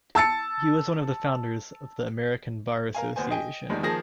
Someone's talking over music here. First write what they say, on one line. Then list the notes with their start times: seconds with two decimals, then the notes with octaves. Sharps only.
He was one of the founders of the American Bar Association.
0.15 A5 E6 A6 C#7
2.95 A#4 F5 G#5
3.16 D#2 B3 C5 G#5
3.31 D#5 G5 G#5
3.70 E2 D#3 F3 G3 G#3
3.83 D#3 F3 A#3 G#4 A5 A#6